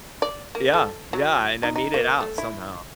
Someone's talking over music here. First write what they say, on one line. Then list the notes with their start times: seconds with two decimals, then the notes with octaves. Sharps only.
Yeah. Yeah, and I made it out, somehow.
0.22 D5
0.55 A#3
0.74 A4
1.13 F#3
1.63 D#4
1.76 D#4
1.94 A#3
2.21 A3
2.38 E4